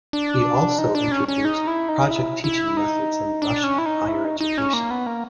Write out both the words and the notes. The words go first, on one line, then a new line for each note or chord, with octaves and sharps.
He also introduced project teaching methods in Russian higher education.
D4
D#4
D4
C#4
C#4
D#4
E4
D#4
E4
E4
D#4
D4
C#4
E4
D#4
E4
D#4
D#4
C#4
A#3
B3
A#3